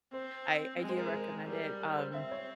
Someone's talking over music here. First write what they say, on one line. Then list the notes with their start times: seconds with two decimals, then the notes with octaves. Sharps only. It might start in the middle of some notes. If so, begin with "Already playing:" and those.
I I do recommend it, um,
0.13 C4 C5
0.80 G#3
0.89 C5
0.97 A#4
1.06 G#4
1.14 A#4
1.31 A#4
1.47 G3 A#4
1.80 A#4
1.98 C5
2.14 C4 E5
2.31 C#5